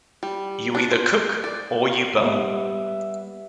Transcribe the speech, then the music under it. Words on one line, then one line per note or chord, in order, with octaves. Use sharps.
You either cook or you burn.
G3
D4
C5
D5
G3 B3 E5